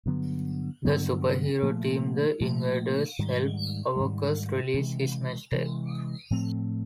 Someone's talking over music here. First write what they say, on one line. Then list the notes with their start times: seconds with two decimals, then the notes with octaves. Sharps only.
The superhero team the Invaders help Aarkus realize his mistake.
0.06 G2 D3 F#3 B3
0.85 G2 D3 F#3 B3
1.62 A#2 F3 A3
2.40 A#2 F3 A3
3.19 G#2 D#3 G3
3.96 G#2 D#3 G3
4.74 C3 E3 G#3
5.51 C3 E3 G#3
6.30 A2 F3 A3 C4